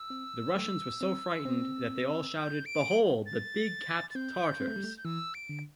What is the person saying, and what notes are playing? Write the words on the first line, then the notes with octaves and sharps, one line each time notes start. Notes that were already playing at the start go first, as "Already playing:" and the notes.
The Russians were so frightened that they all shouted: 'Behold, the big-capped Tartars!
Already playing: E6
C4
A3
C4
C4
G6
D7
A6
A6
C4 G6
C4
A3
G3
A3
G6
E3 E6
D7
D3